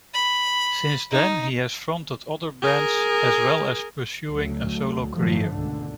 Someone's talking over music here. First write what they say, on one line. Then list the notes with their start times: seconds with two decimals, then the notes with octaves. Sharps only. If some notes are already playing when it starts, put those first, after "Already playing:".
Since then he has fronted other bands, as well as pursuing a solo career.
0.14 B5
1.11 D#4
2.62 G#4 A#4
4.29 D2 F#3 A3
5.15 G2 D#3 F3 F#3 A3
5.50 G#1 C#2 B2 D3